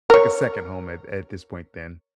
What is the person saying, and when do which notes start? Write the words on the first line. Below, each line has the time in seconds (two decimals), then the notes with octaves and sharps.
Like a second home at at this point then.
0.10 A#4 C#5